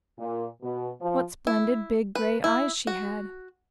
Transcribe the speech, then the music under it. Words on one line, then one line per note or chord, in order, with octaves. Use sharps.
What splendid big grey eyes she had!
A#2
B2
F3
E4
B4
E4
F#4